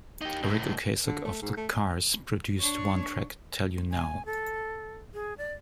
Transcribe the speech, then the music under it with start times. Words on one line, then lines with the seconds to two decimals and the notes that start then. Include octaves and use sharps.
Ric Ocasek of the Cars produced one track, Tell You Now.
0.21 D#4 G4
0.43 C#2 A2
1.06 D3
1.25 A3
1.42 G#2
1.57 A3
2.59 D4 C#5
3.91 G#5
4.25 A4
5.14 G#4
5.38 D5